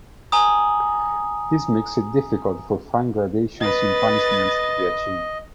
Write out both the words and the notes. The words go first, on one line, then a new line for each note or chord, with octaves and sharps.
This makes it difficult for fine gradations in punishments to be achieved.
G#5 A#5 D#6
B4 D#5 A6